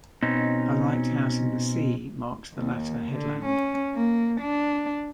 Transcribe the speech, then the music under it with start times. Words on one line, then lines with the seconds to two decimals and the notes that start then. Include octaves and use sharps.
A lighthouse in the sea marks the latter headland.
0.23 B2 C4 C#4 D#4
2.55 D#2
3.12 D3
3.45 C#4
3.95 A#3
4.41 D4